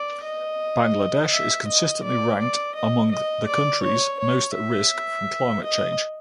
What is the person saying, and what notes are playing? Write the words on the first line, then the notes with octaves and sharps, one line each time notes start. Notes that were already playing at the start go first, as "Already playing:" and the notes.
Bangladesh is consistently ranked among the countries most at risk from climate change.
Already playing: D5
D#5
E5
D#5
D5
D5
D#5
D#5
D5
C#5
C#5
E5
D#5